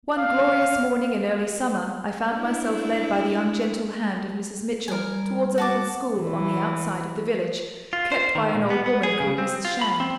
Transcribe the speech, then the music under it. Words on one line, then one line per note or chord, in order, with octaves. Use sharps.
One glorious morning in early summer I found myself led by the ungentle hand of Mrs. Mitchell towards a little school on the outside of the village, kept by an old woman called Mrs. Shand.
F5
D4 E4
G3 A#4 G#5
F#4 A5 D6
E3
F4
C5
D#3
A#2
B3
B3
G#4
C#3
C4
F4
B5
C4